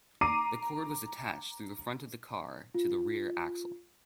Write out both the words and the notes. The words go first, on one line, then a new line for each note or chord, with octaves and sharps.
The cord was attached through the front of the car to the rear axle.
A#5 D6 C7 D#7
F4